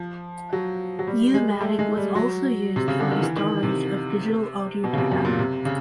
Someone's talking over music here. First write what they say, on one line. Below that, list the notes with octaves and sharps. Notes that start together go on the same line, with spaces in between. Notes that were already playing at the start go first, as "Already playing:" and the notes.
U-matic was also used for the storage of digital audio data.
Already playing: F3
F#3
F#3
G3
G#3
A3
G#3
G3
F#3
C3
C#3
D3
D#3
E3
D#3
C3
B2
C#3
C3
F#2
A#2
C3
C#3